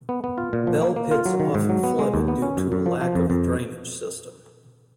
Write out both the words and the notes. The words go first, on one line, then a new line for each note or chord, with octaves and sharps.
Bell pits often flooded due to a lack of a drainage system.
B3
B3
F4
A#2
F3
A#3
A#3
F4
F#3
D#3
G#2
F#3
B3
G#3
D#2
B3
C#4
F#2
F#2
F3
F3
F2
F2